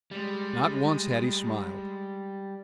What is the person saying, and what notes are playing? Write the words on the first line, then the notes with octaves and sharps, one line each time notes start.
Not once had he smiled.
G3 G#3